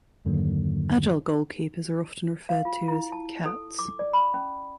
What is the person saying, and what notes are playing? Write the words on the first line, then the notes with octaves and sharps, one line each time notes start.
Agile goalkeepers are often referred to as cats.
E2 G2 D3 D#3 F#3 A#3
F5
F4
E4
A5
A4
D6
D5
B5
C#4